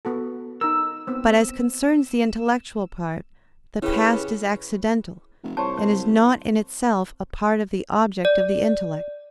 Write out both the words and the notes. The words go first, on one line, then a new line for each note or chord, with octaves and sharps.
But as concerns the intellectual part, the past is accidental, and is not in itself a part of the object of the intellect.
B3 F#4 A4
D#4 A#4 E6
B3 C4
C#3 C#4 E4 G4 B4
F1
C2 C5 C#5 A5 C#6
C5
D5